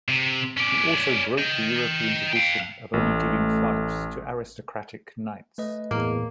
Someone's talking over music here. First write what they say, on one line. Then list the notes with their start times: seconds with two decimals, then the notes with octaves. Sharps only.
He also broke the European tradition of only giving fiefs to aristocratic knights.
0.08 C3
0.57 C#4 D5
1.38 D#5 G5
2.33 F5 G5
2.93 A1 A3
5.58 A3 B4 D#5
5.91 E2 A2 A#3